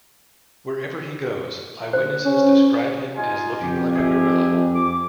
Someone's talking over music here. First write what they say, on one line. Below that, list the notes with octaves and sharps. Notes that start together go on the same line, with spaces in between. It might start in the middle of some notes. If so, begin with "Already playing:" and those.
Wherever he goes, eyewitnesses describe him as looking like a gorilla.
C5
C#4
D#4 F4 G#5
F2 G4
G4 G#4 E5
D6